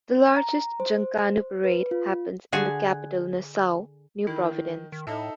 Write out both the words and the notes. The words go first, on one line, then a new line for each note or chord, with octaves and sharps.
The largest Junkanoo parade happens in the capital Nassau, New Providence.
A#5
C5
B4
F4
D3 F#4 G#4 G#5 A5
D#3 E4
D#3
A2 D#4 A4 E5